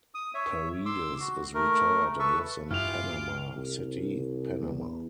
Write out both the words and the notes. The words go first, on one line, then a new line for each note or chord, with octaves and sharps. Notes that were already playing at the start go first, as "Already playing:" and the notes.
Paredes is retired and lives in Panama City, Panama.
D#6
C#5 E5
C6 D6 E6
F#4
A3 A#4
A4 B4 E5 C#6
G2 E3 B3 F4 G4 D6 F6 F7
C2
E2